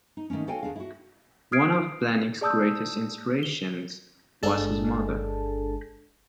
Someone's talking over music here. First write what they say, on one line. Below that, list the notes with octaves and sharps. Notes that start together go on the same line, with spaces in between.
One of Blahnik's greatest inspirations was his mother.
D#4
D#3 A3 A#3 C#4
F#4 A4 C#5 F5 G5 G#5
D#2 D4 G#4 F5
E4 F#4
D#6 F6 G#6 C7 D7
G#4 D5 A5 D#6 E6 G6
G7
G1 G#3 D4 G#4 A4 A5